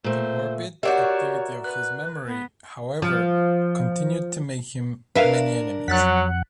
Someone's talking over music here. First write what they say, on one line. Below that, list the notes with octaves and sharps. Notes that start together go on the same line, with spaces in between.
The morbid activity of his memory, however, continued to make him many enemies.
A#2 A3 C5
F#4 G4 A#4 C#5 D5 E5 F#5 G6
B4 F#6
B3
F3
D4 A#4 B4 E5 F5
F2 F#3 F#5 F#6 A6 B6